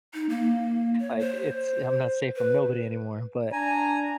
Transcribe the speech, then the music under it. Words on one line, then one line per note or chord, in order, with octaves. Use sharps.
like, it's I'm not safe from nobody anymore. But,
D#4
A#3
C#5
C5
B4
D4 G#5 A#5